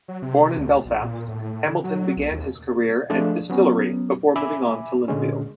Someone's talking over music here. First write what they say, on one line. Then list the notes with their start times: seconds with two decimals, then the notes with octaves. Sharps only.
Born in Belfast, Hamilton began his career at Distillery, before moving on to Linfield.
0.08 F#3
0.22 C3
0.58 D2
0.86 A#1
1.02 A#2
1.28 A2
1.53 A2
1.66 D3
1.84 F#3
2.01 F#3
2.17 B1
2.31 D#2
3.10 F3 G#3 A3 D4 F4
3.50 F#3 B3 C#4
4.36 E5 G#5 B5 D6
5.08 A#2 D3 G#3 C#4